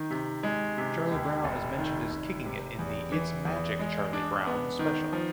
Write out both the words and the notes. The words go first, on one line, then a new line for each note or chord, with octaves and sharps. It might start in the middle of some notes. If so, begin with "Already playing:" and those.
Charlie Brown is mentioned as kicking it in the "It's Magic, Charlie Brown" special.
Already playing: D#3
C3
G#3
C3
D#2
F1
D#3
F1
C3
E2
E3
E2
G#3
D4
B3
D#3
F3